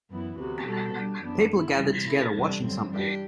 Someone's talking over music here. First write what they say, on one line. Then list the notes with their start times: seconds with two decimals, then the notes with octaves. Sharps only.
People are gathered together watching something.
0.10 F#2 E3 B3 E4
0.38 D2 C3 E3 B3 F#4
0.66 B2 G3 B3 F#4 A4
0.94 B2 G3 D4
1.22 F#2 E3 B3 D4
1.51 E3 B3 E4
1.78 C3 E3 G3
2.07 E3 A3 E4 A4
2.35 E2 C3 G3 D4
2.63 G2 D3 F#3 C4
2.91 E3 G3 D4 G4